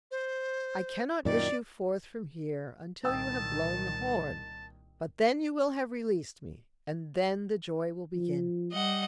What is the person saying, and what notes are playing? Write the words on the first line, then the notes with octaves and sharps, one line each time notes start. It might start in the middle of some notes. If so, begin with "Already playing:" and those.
I cannot issue forth from here until you have blown the horn; but then you will have released me, and then the Joy will begin.
C5
F#2 A#2 D#3 D5
C2 A#2 D#3 G5 A5 D#6 E6
F3
G3 D#5 F#5